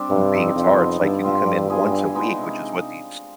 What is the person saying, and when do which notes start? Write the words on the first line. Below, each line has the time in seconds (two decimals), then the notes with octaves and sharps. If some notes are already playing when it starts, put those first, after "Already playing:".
and being guitar, it's, like, you can come in once a week, which is what these
Already playing: G3 C4 D4
0.10 G2 C3
0.32 G3 C4 D#4
0.55 F2 F3
0.78 B3 D#4
1.01 G2 D3
1.24 F3 C4 F4
1.46 G3
1.70 B3 F4 G#4
1.92 D3
2.15 G#3 B3 D#4
2.38 C3